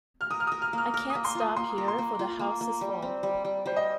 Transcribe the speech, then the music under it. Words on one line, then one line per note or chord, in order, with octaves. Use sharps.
I can't stop here, for the house is full.
F6
A#4 D#6
F6
A#4 D#6
F6
A#3 F6
A#4 F6
D#6
A#3
C6
F4
D#6
A#3 C6
A#4
C6
A#3
F4
A#3
A#3
G3
C4
G3
G3
G3 C5
D#5